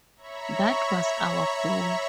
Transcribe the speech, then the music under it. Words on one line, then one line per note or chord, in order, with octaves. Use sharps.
That was our goal.
C#5 E5 A#5 B5 C#6